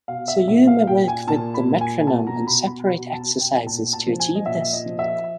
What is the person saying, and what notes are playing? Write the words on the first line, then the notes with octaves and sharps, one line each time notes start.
So you may work with the metronome in separate exercises to achieve this.
B2 F5
E5
A#2 E5
F5
A#2 G5
G#5
A#2 A5
B5
A#2
G#5
B2 A5
A#5
B2 B5
B5
B2 B5
A5
B2
G5
A#2 A5
A5
F3
G#5
D#5
A#2 E5
D#5
F3
E5